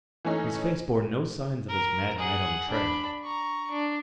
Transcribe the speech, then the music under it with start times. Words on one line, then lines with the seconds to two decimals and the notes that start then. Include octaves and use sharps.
His face bore no signs of his mad night on the trail.
0.25 E3 A3 C#4 D#4
1.69 A#4
2.18 G#4 F#5
2.70 D4 B5
3.23 A#5 C#6
3.71 D4